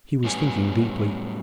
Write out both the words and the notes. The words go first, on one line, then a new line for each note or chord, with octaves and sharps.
He was thinking deeply.
A2 F#3 G3 B3 C#4 G#5